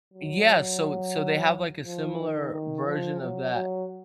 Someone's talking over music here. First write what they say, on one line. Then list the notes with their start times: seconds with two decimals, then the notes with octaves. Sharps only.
Yeah. So so they have, like, a similar version of that
0.14 F#3
1.85 F3
2.19 D#3
2.53 D#3
2.87 F3
3.20 F#3
3.54 F#3